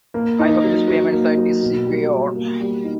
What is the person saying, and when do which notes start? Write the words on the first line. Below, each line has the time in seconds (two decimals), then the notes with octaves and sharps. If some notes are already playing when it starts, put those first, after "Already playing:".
I hope this payment site is secure.
0.14 A#3
0.39 D#4
0.64 F#3
0.88 F#3
1.12 A#3
1.37 F#3
1.62 B2
1.87 G3
2.11 G3
2.35 A#3
2.60 G3
2.84 D#4